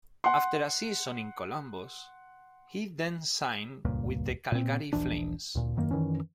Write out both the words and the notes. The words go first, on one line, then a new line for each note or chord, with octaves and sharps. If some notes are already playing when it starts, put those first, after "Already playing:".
After a season in Columbus, he then signed with the Calgary Flames.
F#5 C6
D#1 C#2 G2 A#2
A#2 C4
D#1 A#1 E3 D4
D2 A#2
E1 F#2 D#3 A#3
F#2 D#3 E3 C#4